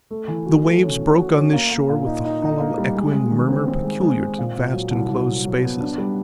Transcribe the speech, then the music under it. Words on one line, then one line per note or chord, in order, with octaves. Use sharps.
The waves broke on this shore with the hollow echoing murmur peculiar to vast inclosed spaces.
A3
E3
F#4
A3
C#4
E3
F#4
C#4
A#3
A#3
A#2
D#4
D#4
D#4
A#3
G3
G#3
G#3
D#3
C4
C4
G#3
G#3
C4
A#2
A#2
F#3
C2
C2
F#3
F#3
B3
D4
G3